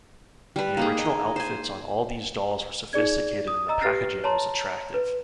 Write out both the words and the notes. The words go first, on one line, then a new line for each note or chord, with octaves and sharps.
The original outfits on all these dolls were sophisticated and the packaging was attractive.
G3 B4
A#3 D#4 G#4
D#5
C5 G#5
D#4 G#4 D5 G#6
D#6
D#5 A#5 E6
G4 B4 F6 A6 A#6 C7
C#5 A5 A#5 C6
B4